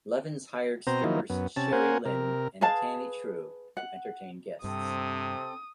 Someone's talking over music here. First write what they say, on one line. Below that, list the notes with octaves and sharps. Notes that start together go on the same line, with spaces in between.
Levens hired strippers Sherry Lynn and Tammi True to entertain guests.
B2 C4 C5 A#5
D#3 F3 F#3 A#3 D#4 E4
F#2 B3
C3 C#4 A5
A#3 C#4 A#4 C5 F#5 G#5
C3 A#4
G#4 B4 F5 A5
F#5
G2 C3 C4 A4 D#6